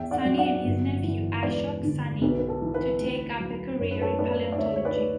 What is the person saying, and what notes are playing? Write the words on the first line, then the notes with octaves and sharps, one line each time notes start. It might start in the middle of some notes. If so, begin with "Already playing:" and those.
Sahni and his nephew Ashok Sahni to take up a career in paleontology.
Already playing: E2 E5 G5
D5 F#5
F#3
D5 F#5
G1
E3
E1 B4 D5
D3
B1 B4
B4
A4
E3
B4
D2
F#3
F#2 C#5
B4
A4 C#5
A3 B4 D5
D5
D2 C#5 E5
C#5
B4 D5
A3